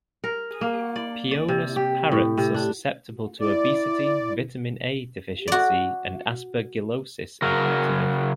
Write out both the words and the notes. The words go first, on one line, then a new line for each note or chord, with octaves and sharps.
"Pionus" parrots are susceptible to obesity, vitamin A deficiency, and aspergillosis in captivity.
A#4
A#3
D5
D5
C3
G4
A2
C3
D4
E4 D5
F#4 D5
C#3 F#3 A#4